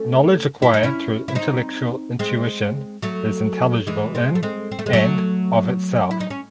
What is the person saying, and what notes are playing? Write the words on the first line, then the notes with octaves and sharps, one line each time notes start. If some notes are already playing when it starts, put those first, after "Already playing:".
Knowledge acquired through intellectual intuition is intelligible in and of itself.
Already playing: A3 C#4
E4
D#4
C#4 E4
E4
C4 D#4
G#3 C4
F#3 A3
E3 G#3
G#3 C4
A3
G#3 C4
C4
A3
G#3
F#3 A3
E4
D#4
C#4